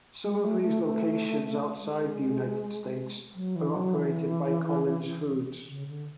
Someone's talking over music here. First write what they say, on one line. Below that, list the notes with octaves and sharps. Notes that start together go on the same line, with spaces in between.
Some of these locations outside the United States are operated by Collins Foods.
G#3
G#3
A3
G#3
A3
A3
G#3
F#3
E3
F#3
E3
C#3
D3